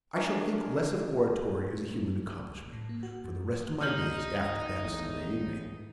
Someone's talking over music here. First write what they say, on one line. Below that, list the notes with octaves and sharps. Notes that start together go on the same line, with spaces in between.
I shall think less of oratory as a human accomplishment, for the rest of my days, after that Sunday evening.
D4 A#4 D#5 E5 G#5 C#6
A2
A#3
F#4
F#2
D#4 D#5 F6 G6 F#7
G#1 E2 A2